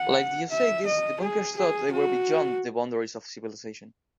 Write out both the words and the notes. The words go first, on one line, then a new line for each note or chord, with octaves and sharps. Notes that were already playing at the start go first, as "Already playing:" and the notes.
Like the Osages, the Bunkers thought they were beyond the boundaries of civilization.
Already playing: F#5
E5
D#5
G#4
G#4
F#4